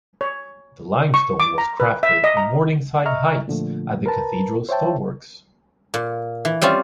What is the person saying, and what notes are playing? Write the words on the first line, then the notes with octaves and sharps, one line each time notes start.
The limestone was crafted in Morningside Heights at the Cathedral Stoneworks.
C#5
C#6
D6
A#5
B4
E5
D#5
A#5
D#5 E5 A#5 C#6 F6
A#2 D3 F3 A3
A#4 B4 A5 A#5
C5 C#5 E5 G5 A5
A#2
E3
G3 C4 C#4 F4